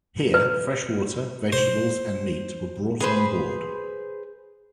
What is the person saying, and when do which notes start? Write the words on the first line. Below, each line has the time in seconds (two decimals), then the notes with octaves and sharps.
Here, fresh water, vegetables and meat were brought on board.
0.34 B4
1.53 C5
3.00 G#4 B4 C5